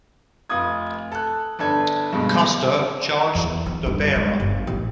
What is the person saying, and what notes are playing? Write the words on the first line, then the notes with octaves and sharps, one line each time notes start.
Custer charged the bearer.
F1 F4 D#6 G#6
A4 F#6
G1 D4 A4 G#6
G2 B2 G#3
E2
F3
G2
G#3
G1
A1